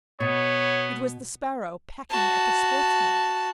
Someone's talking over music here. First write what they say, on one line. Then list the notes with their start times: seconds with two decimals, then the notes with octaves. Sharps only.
It was the sparrow pecking at the sportsmen.
0.20 B2 B3 C#5
2.10 F#4 A5